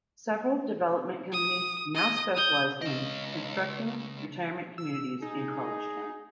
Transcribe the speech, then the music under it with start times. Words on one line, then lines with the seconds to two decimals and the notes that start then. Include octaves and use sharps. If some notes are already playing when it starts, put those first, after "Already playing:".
Several development companies now specialize in constructing retirement communities in college towns.
1.33 D#6
1.95 D#5 D#6
2.35 D#6 G6
2.82 C#2 D#5
4.78 E6
5.22 D#4 G#4